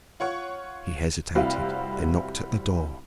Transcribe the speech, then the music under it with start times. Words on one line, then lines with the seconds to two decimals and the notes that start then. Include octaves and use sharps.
He hesitated, then knocked at the door.
0.20 F4 C#5 F#5 C#6
1.35 F1 G3 C4 E4 F#4 F5